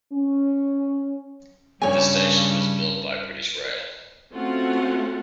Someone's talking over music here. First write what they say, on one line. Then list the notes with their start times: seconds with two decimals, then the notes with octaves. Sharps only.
The station was built by British Rail.
0.13 C#4
1.82 G2 C#3 G3 C#4 C#5 G#5
4.33 A3 C4 C#4 F4 F#4 F#5